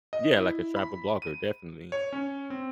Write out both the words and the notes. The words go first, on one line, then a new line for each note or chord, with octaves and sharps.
Yeah, like a travel blogger, definitely,
D#5
E4
B5
D#7
C#5
C#4
C4